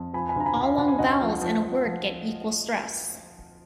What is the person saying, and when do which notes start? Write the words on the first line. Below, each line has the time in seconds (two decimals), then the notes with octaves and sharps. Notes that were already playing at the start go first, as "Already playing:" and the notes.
All long vowels in a word get equal stress.
Already playing: F2
0.14 F3 G#5 B5
0.29 G#5 B5
0.36 D2 A#5
0.46 G#5 B5
0.56 D2
0.62 F5 G#5
0.78 D2 F#5
0.88 G#5
0.99 D2 D#5 F#5
1.21 F3
1.42 F3
1.63 F3
1.85 F3